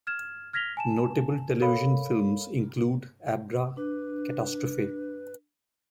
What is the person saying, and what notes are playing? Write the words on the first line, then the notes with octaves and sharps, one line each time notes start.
Notable television films include Abra-Catastrophe!
F6 G#6 E7
F6 G#6 A#6 B6 F7 G7
G#5 A5 E7
A4 A#4 C#5 F5 B5
D4 B4